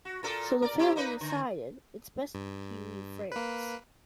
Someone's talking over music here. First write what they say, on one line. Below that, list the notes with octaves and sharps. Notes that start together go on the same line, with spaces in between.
So, the family decided it's best he leave France.
F#4
A#2 A4 A#4
A#4 D5
C4 E4 G4
A#3 D#4 B4
D3
G2
A#3 B4